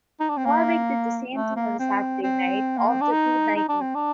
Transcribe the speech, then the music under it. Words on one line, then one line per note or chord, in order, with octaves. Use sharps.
Warwick did the same thing on the Saturday night of the two night meeting.
D#4
D4
C4
A#3
A3
A#3
C4
C4
A#3
C4
D4
D#4
D#4
D4
C4
D4